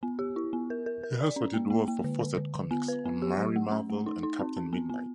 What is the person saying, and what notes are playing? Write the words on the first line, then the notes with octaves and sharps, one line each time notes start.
He also did work for Fawcett Comics on "Mary Marvel" and "Captain Midnight".
B3
G4
E4
B3
A#4
A#4
A#4
D5
C#4
A#3
A#3
A#3
D3
D3
D3
D3
B3
B4
B3
G4
F#3
A3
C#4
A3
D#4
D#4
C4
C4
B3
B3